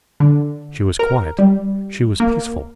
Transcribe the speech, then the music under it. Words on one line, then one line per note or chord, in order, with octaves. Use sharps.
She was quiet, she was peaceful.
D3
A#4
G3
A#3